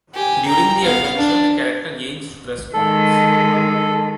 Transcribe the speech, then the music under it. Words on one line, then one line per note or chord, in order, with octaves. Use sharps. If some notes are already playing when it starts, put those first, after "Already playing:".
During the adventure, the character gains stress points.
G4 G#5
G5 A#5
B3 F5
D4
D#3 G#3 A4